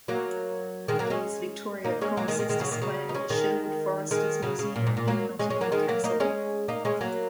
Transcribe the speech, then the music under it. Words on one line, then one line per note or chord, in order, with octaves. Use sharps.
His Victoria Cross is displayed at the Sherwood Foresters Museum in Nottingham Castle.
F#3 A#3
D#3 G#3
F#3 A#3
G#3 C#4
A#3 D#4
G#3 C#4
F#3 A#3
D#3 G#3
D#3 G#3
D#3 G#3
C#3 F#3
A#2 D#3
C#3 F#3
D#4
G#3 C#4
D#3 G#3
D#3 G#3
C#3 F#3
C#3
A#2
G#2
A#2
F#3 A#3
G#3 C#4
G#3 C#4
F#3 A#3
D#3 G#3
F#3 A#3
A#3 D#4
G#3 C#4
A#3 D#4
G#3 C#4
F#3 A#3